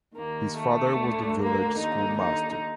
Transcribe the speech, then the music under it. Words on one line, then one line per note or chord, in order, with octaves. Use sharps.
His father was the village schoolmaster.
D#2 D#3 A#3
A3
D2 D3
A#3
D#2 D3 D#4
D#4